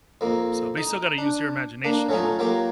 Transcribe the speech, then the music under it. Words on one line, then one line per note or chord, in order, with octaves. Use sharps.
So but you still gotta use your imagination, you know?
F2 A#3
D#4
D4
A#3 D4
F#3 A3 C#4 D#4 F4
F#3 A#3 F4 G4